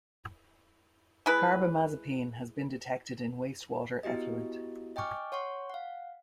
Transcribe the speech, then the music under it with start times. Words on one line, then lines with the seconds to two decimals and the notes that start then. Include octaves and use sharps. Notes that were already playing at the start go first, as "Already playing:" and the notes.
Carbamazepine has been detected in wastewater effluent.
1.26 G#3 E4 B4
4.03 B3 E4 F#4 G4 D#5
4.96 D#5 G5 G#5 C#6 D6 F6
5.32 C#5 F#5 C6 C#6
5.70 F5 F#5